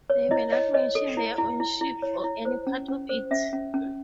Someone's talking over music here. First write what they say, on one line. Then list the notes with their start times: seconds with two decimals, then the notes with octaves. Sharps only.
They may not mention their own ship or any part of it.
0.10 C#5
0.31 E4 D#5
0.52 C#5 D#5
0.74 C#5 D#5
0.95 A4
1.17 E4
1.38 E4
1.60 E4
1.81 E4
2.02 C#5
2.24 E4
2.45 C5
2.67 C#4
2.88 C#4
3.09 C5
3.31 C#4 E5
3.53 C#4
3.74 C#4